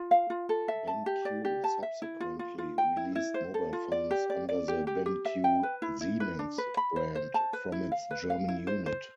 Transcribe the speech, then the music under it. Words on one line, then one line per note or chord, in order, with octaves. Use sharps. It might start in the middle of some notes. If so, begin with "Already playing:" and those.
BenQ subsequently released mobile phones under the BenQ-Siemens brand, from its German unit.
Already playing: F4
F5
F4
A4
E5
A5
G4
D5
G4
A5
E5
E4
F4
F4
F4
G5
E4
E4
C5
A4
F4
D5
G4
D5
D5
G4
G4
G4
E5
G5
B4
E4
E4
B4
D4
B4
B5
C5
C5
A5
B4
E4
F5
B4
F5
E4
C5
C5